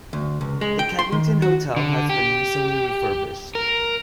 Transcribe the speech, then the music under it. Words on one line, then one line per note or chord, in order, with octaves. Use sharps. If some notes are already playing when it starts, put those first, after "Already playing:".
The Kevington Hotel has been recently refurbished.
D2
C#2
G#3
G5
C6
D#3
F#4
D3
G4
A#4